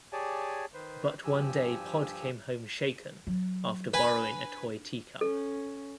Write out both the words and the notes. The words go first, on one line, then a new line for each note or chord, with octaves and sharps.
But one day Pod came home shaken after borrowing a toy tea cup.
G4 G#4 C#5 D5 G#5 A5
D#3 B4 C5
G2 F3 G4 G#5 E6
F#3
D4 B4 G#5 B5
C#4 A4